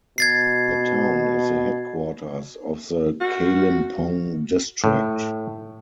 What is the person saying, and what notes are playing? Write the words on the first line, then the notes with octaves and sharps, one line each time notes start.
The town is the headquarters of the Kalimpong district.
B2 G#6 A6 C7
F#4
A2